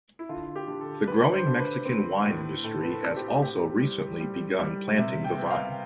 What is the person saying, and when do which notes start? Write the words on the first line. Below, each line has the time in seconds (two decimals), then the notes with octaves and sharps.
The growing Mexican wine industry has also recently begun planting the vine.
0.19 E4
0.29 D3 F4
0.56 G4
0.68 D3
0.81 A4
1.07 D3 B4
1.33 C5
1.46 D3
1.60 B4
1.85 C4
2.25 A2
2.64 A2 A4
2.82 B4
2.90 A4
3.03 C4
3.17 G4
3.42 A2 G4
3.81 G3
4.20 G3
4.60 G3
4.98 C3 E5
5.24 G5
5.37 B3
5.45 G5
5.50 F5